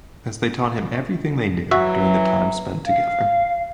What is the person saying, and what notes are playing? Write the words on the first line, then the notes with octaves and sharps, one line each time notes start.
As they taught him everything they knew during the time spent together.
E3 F#3 F#4 E5
F5